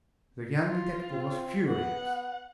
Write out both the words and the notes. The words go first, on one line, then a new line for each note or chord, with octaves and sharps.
The young detective was furious.
F4
C4
B3 F#5